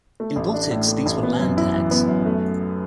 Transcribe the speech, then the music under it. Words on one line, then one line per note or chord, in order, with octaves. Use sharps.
In Baltics these were Landtags.
A3
A1
D4
A2
A3
A1
B3
F#2
E4
E3
B3
F#2
A3